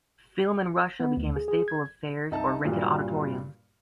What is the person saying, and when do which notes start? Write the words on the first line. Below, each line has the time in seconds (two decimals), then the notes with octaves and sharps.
Film in Russia became a staple of fairs or rented auditoriums.
1.00 B3
1.17 D2
1.36 G#4
1.48 G#4
1.68 G#6
2.31 C2 D#4 E5 A5
2.64 G2 A#2 F#3 G3